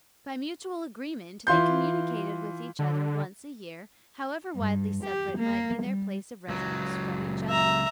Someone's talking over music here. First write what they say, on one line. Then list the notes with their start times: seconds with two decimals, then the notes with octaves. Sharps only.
By mutual agreement they communicated with each other once a year, however widely separate might be their place of residence from each other.
1.47 E3 F4 C6 G6
2.79 D3
4.56 G2
5.04 G4
5.38 A#3
5.83 G3
6.48 C#2 F#3
7.49 E5 A#5